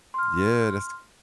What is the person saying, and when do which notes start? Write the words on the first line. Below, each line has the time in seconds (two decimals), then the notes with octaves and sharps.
Yeah, that's t
0.14 C6 F6